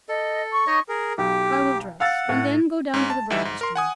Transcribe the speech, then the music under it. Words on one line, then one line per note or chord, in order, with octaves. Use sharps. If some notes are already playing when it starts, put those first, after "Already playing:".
I will dress, and then go down to the breakfast-room.
A4 D#5
C#6
D#4 C#5 D#5
G#4 A#4
B1 G4
F5 F#5 E6 A6
A2
G#2 C#4
A5
D2 E3 G3 D#4 E5
G#2
A#4 C6
F#5 G#5 D#6